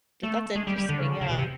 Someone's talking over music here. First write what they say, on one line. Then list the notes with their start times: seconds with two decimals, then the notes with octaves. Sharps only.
But that's interesting, yeah.
0.23 A3
0.55 G#3
0.67 G3
0.78 G3
0.89 D3
1.00 C#3
1.10 D3
1.21 C#3
1.30 B2
1.38 C3